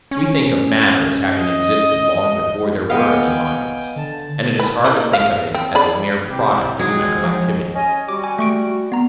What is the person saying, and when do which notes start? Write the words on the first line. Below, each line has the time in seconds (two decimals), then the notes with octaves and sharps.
We think of matter as having existed long before there were any minds, and it is hard to think of it as a mere product of mental activity.
0.11 C#4
1.35 D#5
2.90 B3 D#5 F5 G5 G#5
3.96 D3 A5
4.59 B4
4.84 A#3 D#4 E4
5.13 F5
5.54 C4
5.75 G#4 D5 B5
6.27 C3 E4 G4
6.79 F#3 G#3 D#4 G#4 G5
7.23 F3
7.75 C#4 D#5 G#5
8.09 G3 F#4 D6
8.24 G#5
8.39 A3 C#6 D7
8.92 B3 A#5